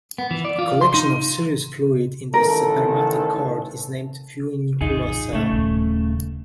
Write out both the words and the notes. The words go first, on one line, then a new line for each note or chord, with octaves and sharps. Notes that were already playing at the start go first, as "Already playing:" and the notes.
A collection of serous fluid in the spermatic cord is named 'funiculocele'.
B3
E3
D5
F4
C6
D#4
A1 D#3 A4 A#4
A1 E2 D#4 F4 G#4
A2 C#3 A3
D#1 D#2